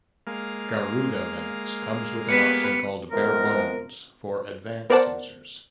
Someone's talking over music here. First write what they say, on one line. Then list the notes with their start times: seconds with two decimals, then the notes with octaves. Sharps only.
Garuda Linux comes with an option called Barebones for advanced users.
0.27 G#3 A#3 F5
2.29 B3 G4 B4 B6 C#7
3.11 E3 F3 G#3 B3 C4 A#4
4.90 B3 A#4 C5 D5 F#5 A5